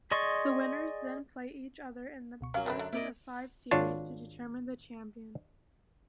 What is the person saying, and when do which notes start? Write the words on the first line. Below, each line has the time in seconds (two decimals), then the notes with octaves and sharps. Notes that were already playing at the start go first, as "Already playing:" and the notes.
The winners then play each other in a best-of-five series to determine the champion.
0.11 G#4 D5 D#5 C6 C#6
2.41 C#2 B2 C#6
2.54 F#3 A#3 C#4 F5
2.66 F#2 D3 D#3 D#4 B4
2.79 A3 A#5 F#6 A6
2.93 A#3 C4 E4 A#4 D5 D#5
3.71 G#1 D4 F4 C#5 A5